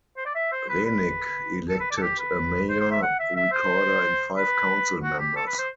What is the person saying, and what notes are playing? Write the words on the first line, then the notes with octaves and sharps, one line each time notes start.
Renick elected a mayor, recorder and five council members.
C5
D5
E5
C5
B4
B4
A4
B4
D5
A4
G4
B4
C5
C5
E5
F#5
E5
E5
C5
B4
F#4
G4
A4
B4
C5